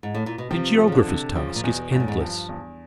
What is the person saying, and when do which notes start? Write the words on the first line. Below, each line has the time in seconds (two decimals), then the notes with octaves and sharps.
The Geographer's task is endless.
0.03 G#2
0.15 A2
0.26 A#2
0.38 B2
0.51 C3 F3
0.78 F3
0.87 C#3
0.92 D3
1.07 C3
1.35 C#3 F3
1.55 A#2
1.64 E2 B2
1.91 E2 G#2
2.00 A2
2.08 G#2
2.20 G2 F3
2.49 E2